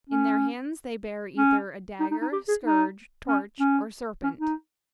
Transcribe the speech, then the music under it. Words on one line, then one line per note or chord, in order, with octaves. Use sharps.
In their hands they bear either a dagger, scourge, torch, or serpent.
C#4
C#4
D#4
D#4
D#4
G4
G#4
D#4
C#4
C#4
C#4
D#4